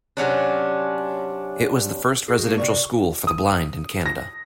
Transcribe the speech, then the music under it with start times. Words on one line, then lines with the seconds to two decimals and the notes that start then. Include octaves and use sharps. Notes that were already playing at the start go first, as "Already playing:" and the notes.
It was the first residential school for the blind in Canada.
0.17 C3 F#3 C#4 D4
2.28 F#4 G#4
2.46 A3 A#3 D#4
2.58 C3 F#4 D5 C#6
3.27 D#6
4.06 A#6